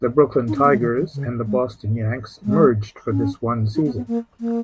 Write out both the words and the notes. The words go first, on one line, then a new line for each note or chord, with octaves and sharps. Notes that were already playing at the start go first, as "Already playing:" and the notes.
The Brooklyn Tigers and the Boston Yanks merged for this one season.
D#4
C#4
B3
G#3
D#3
D#3
C#3
G#3
G#3
C#4
D#4
B3
B3
A#3
A#3